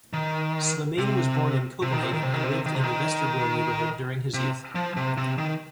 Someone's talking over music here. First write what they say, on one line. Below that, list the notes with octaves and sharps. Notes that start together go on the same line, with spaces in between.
Slimane was born in Copenhagen and lived in the Vesterbro neighbourhood during his youth.
D#3
C3
C3
D#3
C3
D#3
C3
D#3
C3
D#3
C3
D#3
C3
F3
C3
C3
D#3